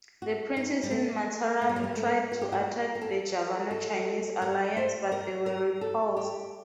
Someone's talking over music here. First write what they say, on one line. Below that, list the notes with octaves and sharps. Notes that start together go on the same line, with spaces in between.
The princes in Mataram tried to attack the Javano-Chinese alliance but they were repulsed.
F#4
D#4
G3
A3
A3
G3
F#3
G3
A3
F#4
G4
F#4
A#4
A4
A4
A#4
C5
A#4
A#4
A4
G4